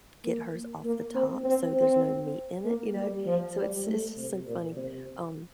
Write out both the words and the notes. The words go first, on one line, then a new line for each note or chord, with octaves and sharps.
get hers off the top so there's no meat in it, you know? So it's it's just so funny. Um,
A#3
A#3
C4
C4
C4
A#3
G3
F3
G3
A3
C3
A#2
C3